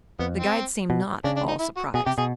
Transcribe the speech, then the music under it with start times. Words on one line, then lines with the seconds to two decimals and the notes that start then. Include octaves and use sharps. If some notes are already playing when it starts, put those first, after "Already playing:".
The guide seemed not at all surprised.
0.19 F2 B3
0.37 C4
0.90 B2
1.24 C#3 D4
1.37 D4
1.48 D#4
1.60 E4
1.77 F#4
1.94 B2 G#4
2.06 C3 G4
2.18 B2 G#4